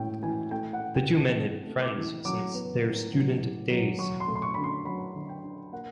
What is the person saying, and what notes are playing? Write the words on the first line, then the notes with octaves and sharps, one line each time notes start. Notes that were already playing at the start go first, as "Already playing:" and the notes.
The two men had been friends since their student days.
Already playing: A2 E3 G#3 G5
E3 G#5
A3 G5
F#5
A3
G5
C3
A5
E3
A3
D6
E3
F#3 D6
B3
A2
F#3
A2
F#3
F#3 C#6
C6
A3
C6
C#6
D3 B5
C6
F#3 B5
D3
G5
D4
A#3 F#5